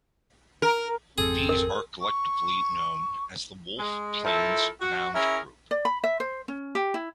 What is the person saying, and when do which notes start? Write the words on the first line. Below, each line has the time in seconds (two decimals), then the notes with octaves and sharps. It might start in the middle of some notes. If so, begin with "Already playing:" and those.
These are collectively known as the Wolf Plains Mound Group.
0.62 A#4
1.18 G#1 F2 C4 G#4 A4
1.49 A#4
2.01 C#6
3.78 G#3
4.24 F3 E4 A4 A#4
4.80 F#4
5.14 C#4 E4 G#4 A#4
5.71 D5
5.85 B5
6.04 E5
6.20 C5
6.48 C#4
6.75 G4
6.94 E4